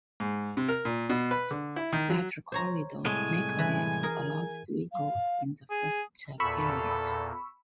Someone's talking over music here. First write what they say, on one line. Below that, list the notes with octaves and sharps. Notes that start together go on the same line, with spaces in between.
Starter Corrado Micalef allowed three goals in the first period.
G#2
C3
A#4
A#2
B2
B4
D3
E4
D#3
F#3
C5 C#5 A#5
C2 A2 G#3 G#5
E3
G#4 A#4
F5
G#4
E2 A#2 A4 B5 C#6 E6